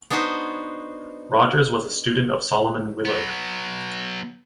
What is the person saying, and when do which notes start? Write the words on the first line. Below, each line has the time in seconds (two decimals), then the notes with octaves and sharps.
Rogers was a student of Solomon Willard.
0.10 B3 D4 D#4 F#4 B4 C5
3.05 F#3 B3